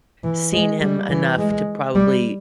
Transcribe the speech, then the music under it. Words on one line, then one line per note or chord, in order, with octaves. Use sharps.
seen him enough to probably
E3
G#3
G3
E3
G#3
G3